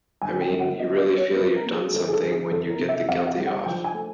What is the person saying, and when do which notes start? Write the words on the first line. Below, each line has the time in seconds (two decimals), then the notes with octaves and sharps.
I mean, you really feel you've done something when you get the guilty off.
0.22 G1 G#5
0.41 G5
0.50 G1
0.60 F#5
0.79 B3 D#5
0.98 D5
1.07 B3
1.17 C#5
1.36 G3 B4
1.56 A#4
1.65 A#3
1.75 G#4
1.94 G1 A4
2.08 G#4
2.13 A4
2.22 G1
2.31 G#4
2.51 F2 A4
2.70 A#4
2.79 C3
2.89 E5
3.09 F2 F5
3.27 F5
3.37 G3
3.46 F#5
3.66 F3 G5
3.84 G#5
3.94 A3